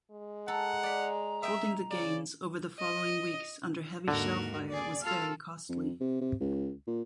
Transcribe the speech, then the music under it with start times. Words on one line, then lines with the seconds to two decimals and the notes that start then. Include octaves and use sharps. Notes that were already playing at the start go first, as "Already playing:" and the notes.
Holding the gains over the following weeks under heavy shellfire was very costly.
0.11 G#3
0.48 A4 F#5 A#5
0.83 D5 B5
1.43 D#5 E5 G5
1.91 C#3 D5
2.79 D#5
4.08 D#2 G#2 D3 F#4 A#4
4.72 G#4 D5
5.04 F4 A4 F6
5.69 F2
6.01 C3
6.21 C3
6.40 C#2
6.87 A#2